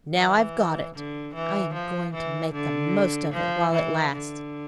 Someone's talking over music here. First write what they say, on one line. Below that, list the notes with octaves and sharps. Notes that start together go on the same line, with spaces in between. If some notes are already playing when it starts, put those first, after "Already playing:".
And now I've got it I am going to make the most of it while it lasts.
E3
D3
E3
F3
E3
D3
F3
E3
D3